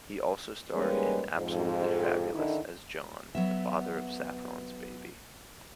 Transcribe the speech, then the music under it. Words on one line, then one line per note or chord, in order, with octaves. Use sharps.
He also starred in Absolutely Fabulous as John, the father of Saffron's baby.
G#2 G3 G#3 A#3 C#4 B4
F2 G#2
D3 D#3 D#4 E4
F#3 B3 E5